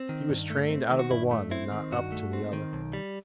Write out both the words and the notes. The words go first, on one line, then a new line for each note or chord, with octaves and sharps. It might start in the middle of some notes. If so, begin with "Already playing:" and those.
He was trained out of the one and not up to the other.
Already playing: C4
D#3
G2
A3
C4
D#3
F#4
G2 E4
A3
C4 E4
D#3
G2 F#4
A3
C4
D#3
B1
G3